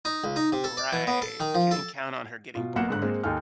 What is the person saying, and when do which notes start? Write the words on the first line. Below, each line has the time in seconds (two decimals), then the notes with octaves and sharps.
Right. She didn't count on her getting bored.
0.05 D#4
0.24 C#2
0.36 D#4
0.52 C3
0.64 A4
0.77 D5
0.93 E3
1.07 B3
1.22 A4
1.40 D#3
1.55 F3
1.71 A4
2.55 B2 F4
2.76 B1 A#3 F#5 F#6 C#7 E7
2.89 G#2 D3 F#6
3.02 G#3 A#3 C4
3.23 D#2 D#4 A4 G#5 F6